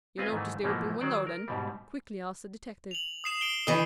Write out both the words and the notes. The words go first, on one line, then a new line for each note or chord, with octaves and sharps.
"You noticed the open window, then?" quickly asked the detective.
B3 C4 F4 B4 D#5 G#5
G#2 D#3 E3 A3
G#2 B2 E3 F3 A3 A#3
D#3 F#3 C5 D5
A#4
G#2 B2 G3
F7 F#7
D#6 C7 E7
D7 G7
D#3 E3 D#6 C7